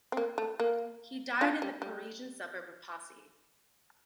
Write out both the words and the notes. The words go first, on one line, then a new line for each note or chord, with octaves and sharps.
He died in the Parisian suburb of Passy.
C4
A#3
A3
A#3
D4 F4
G3
G3